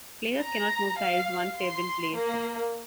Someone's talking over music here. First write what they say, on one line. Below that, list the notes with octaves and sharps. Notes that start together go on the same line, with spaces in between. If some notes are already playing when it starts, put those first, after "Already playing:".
Players cannot move tiles once they have been placed.
A#5
F5
C6
A#3